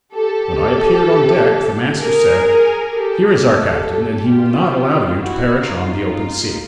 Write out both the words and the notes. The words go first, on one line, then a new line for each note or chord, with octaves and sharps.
When I appeared on deck the master said, "Here is our captain, and he will not allow you to perish on the open sea."
G4 A4
G#4 A#4
G4 A4
G4 A4
F4 G4
E4 F#4
D#4 F4